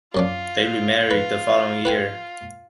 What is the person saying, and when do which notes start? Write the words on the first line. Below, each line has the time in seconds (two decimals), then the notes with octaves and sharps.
They remarried the following year.
0.15 F#2 C#4 D4 F4
1.11 B4
1.85 B4 G5 G#5